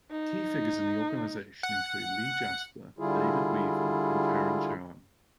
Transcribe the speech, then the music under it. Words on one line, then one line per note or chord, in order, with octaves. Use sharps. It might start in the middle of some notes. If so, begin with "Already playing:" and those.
Key figures in the organisation include Lee Jasper, David Weaver and Karen Chouhan.
D#4
F#5
D3 G3 E4 F4 G#4